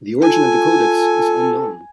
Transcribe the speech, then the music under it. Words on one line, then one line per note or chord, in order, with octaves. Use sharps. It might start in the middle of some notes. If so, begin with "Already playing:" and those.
The origin of the codex is unknown.
F4 A4 G#5